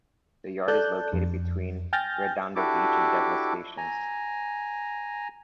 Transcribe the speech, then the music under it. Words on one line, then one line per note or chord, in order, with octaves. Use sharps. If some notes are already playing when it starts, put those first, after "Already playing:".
The Yard is located between Redondo Beach and Douglas stations.
A4 D5 A5 F#6 G6
F2
G5 G#5 F6 G6 A6 A#6
D4 E4 F#4 G4 A4 D6
G#5 A#5